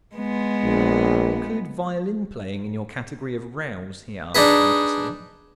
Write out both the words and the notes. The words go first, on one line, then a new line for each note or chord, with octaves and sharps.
"Do you include violin-playing in your category of rows?" he asked, anxiously.
G#3 B3
A#1
D4 D#4 G#4 B4